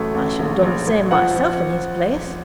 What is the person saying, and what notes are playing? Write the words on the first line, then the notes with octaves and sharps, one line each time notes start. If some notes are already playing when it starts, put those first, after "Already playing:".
I should have done the same myself in his place.'
Already playing: A1 F#3 A3
A1
A#1
A#1
A#1
F3 F#5
F3